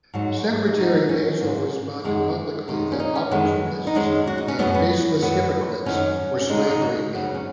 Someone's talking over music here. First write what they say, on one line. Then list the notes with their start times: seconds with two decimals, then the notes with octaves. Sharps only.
Secretary Vaso responded publicly that "opportunists" and "faceless hypocrites" were slandering him.
0.14 G#2 F#3
0.77 B2 F#3 D#4
1.09 C#4
1.41 G#2 F#3
2.04 F#2 D#3 G#3
2.68 F#2 D#3 G#3
2.92 C#4
3.00 D#4
3.15 C#4
3.31 F#2 D#3 G#3 B3
3.87 D#4
3.95 F#2 D#3 G#3 C#4
4.27 F#4
4.38 D#4
4.48 C#4
4.59 F#2 F#3 B3
4.74 B3
5.22 F#2 F#3 B3
5.86 F#2 D#3 F#3 C#4
6.41 C#4
6.50 B2 G#3 D#4
6.70 D#4
6.82 F#4
7.13 F#2 C#3 F#3
7.24 B3
7.34 C#4